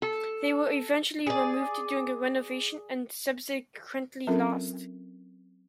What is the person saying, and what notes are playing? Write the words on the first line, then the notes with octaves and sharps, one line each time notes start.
They were eventually removed during a renovation and subsequently lost.
A4
G#4 D5
F#3 C4 C#4 F4 A4 A#4